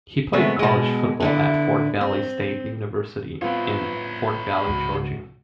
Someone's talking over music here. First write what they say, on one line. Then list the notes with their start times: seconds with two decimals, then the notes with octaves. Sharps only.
He played college football at Fort Valley State University in Fort Valley, Georgia.
0.33 C3 G#3 A3 B3 C#5
0.59 B2 G#3
1.20 G2 D3 E4
2.01 C4
3.42 A2 G3 B3 C4 F4 B4 C#5 C6
4.67 C#2 G#2 C#3 F#4